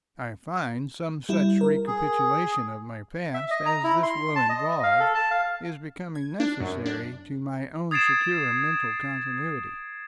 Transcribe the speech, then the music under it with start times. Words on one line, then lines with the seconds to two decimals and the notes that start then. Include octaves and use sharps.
I find some such recapitulation of my past as this will involve, is becoming necessary to my own secure mental continuity.
1.29 G3 E4
1.61 A#4
1.87 G#4
3.34 E5
3.51 D#5
3.66 A#5
3.84 E4
4.03 C6
4.36 A5
4.49 D#5
4.83 F5
5.00 A4
5.15 A5
5.31 F5
6.15 G#6
6.40 D4
6.60 F#2
6.86 D4
7.91 D#6 G#6 A6 C7 D7 E7